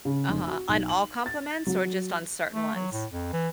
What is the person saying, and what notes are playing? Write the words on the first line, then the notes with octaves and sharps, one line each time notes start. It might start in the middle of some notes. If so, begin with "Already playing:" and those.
Uh-huh, on all compliments or just on certain ones?
C#3
F1
F#4
B1
F#7
A6
F#3
A3
F#3
A2
F2
E3